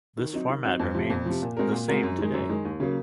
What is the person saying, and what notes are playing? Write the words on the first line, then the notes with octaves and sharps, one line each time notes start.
This format remains the same today.
D#3
F#3 C4 D#4
D#3
F#3 C4 D#4
F2
C3 F3
F2
C3 F3
A#2
G#3 C4 F#4 A#4
A#2
G#3 C4 F#4 A#4
F#2
D#3 G#3
F#2
D#3 G#3
D#2
C#3 F#3 A#3